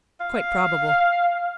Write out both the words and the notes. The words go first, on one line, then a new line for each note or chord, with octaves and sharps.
"Quite probable."
F5